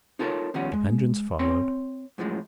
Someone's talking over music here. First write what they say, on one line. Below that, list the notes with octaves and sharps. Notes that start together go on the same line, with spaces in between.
The Vengeance followed.
D#4 F4 A4 A#4 C#5
D#2 B2 F3 G3 C#4 F#5
G#3
C4 C#5 C6
F#2 A2 F3 G#3